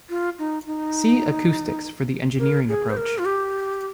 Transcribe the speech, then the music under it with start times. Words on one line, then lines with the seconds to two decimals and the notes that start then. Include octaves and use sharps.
See acoustics for the engineering approach.
0.10 F4
0.39 D#4
0.66 D#4
2.40 A#4
2.68 G#4
2.90 C5
2.97 A#4
3.18 F4
3.25 G4